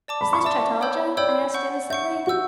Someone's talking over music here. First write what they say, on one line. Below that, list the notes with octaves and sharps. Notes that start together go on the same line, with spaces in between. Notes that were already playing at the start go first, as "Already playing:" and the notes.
'Is this Chataldja?' I asked innocently.
D5 A5 D6
B5
C#6
D5 E5 A5 D6
C#5 G5 B5 E6 G6
C#5 D5 G5 B5 E6 G6
F#5 C#6 G6
E5 F#5 C#6 G6
F#4 F#5 C#6 E6 G6